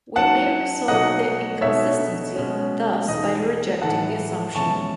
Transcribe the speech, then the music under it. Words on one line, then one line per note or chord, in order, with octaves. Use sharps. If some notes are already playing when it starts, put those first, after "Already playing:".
We may resolve the inconsistency, thus, by rejecting the assumption.
G#2 F#3 C#4 F#5 A5
B2 F#3 A3 D#4 D#5 F#5
B2 A3 D#4 C#5 E5
B2 G#3 C#4
E2 B2 A3 D#4 D#5
A2 E3 A3 D#4 F#5 A5
E2 B2 G#3 C#4 E4 A5 C#6